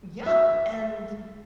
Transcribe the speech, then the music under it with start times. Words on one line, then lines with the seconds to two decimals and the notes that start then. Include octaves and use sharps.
Yeah, and
0.26 E5